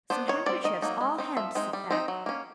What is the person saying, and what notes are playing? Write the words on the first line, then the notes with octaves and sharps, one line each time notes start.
"Some handkerchiefs, all hemmed," said Beth.
B3 D4 C5
D#3 C#5
G3 C4 D5
D#3 D#5
F#3 A#3 D#4
G#3
C4 D#4
F3 E5
G#3 C4 D#4
G3
C4 D#4
F#3
A#3 C#4